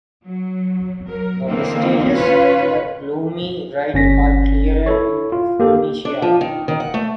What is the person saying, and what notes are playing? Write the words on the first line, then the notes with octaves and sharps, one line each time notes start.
The vestiges in that gloomy rite are clearer in Phoenicia.
F#3
F#3 A#4
D3 E3 A#3 C4 D4 D#4
C#4 F4 B4 C#5
G1 C#4 A#6 B6
E4 A4 C#5
F4
A#3 G4 A4
D4
F3
D#3
D#3
F#5
A3